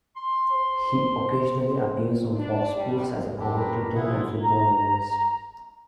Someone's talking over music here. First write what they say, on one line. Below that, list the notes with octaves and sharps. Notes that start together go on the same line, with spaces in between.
He occasionally appears on Fox Sports as a commentator and football analyst.
C6
C5
D4
G3
F#2 C4 D4 G4 A#4
B2 A#5 B5
B2 E4 F4 G#4 F#5
A#5